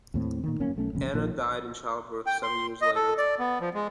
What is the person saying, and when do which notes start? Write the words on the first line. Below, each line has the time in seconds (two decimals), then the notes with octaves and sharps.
Anna died in childbirth seven years later.
0.14 D#2 A2 C4
0.44 A#2 D#3
0.60 G1 F#2 A#3 C#4
0.76 B1 A3 C#4
0.93 E1 A#1 C#3
1.14 A#1 A#2 D#3 F3
2.26 G5
2.43 C6
2.82 D#5
2.95 A4
3.18 D5
3.39 B3
3.61 F3
3.74 G#3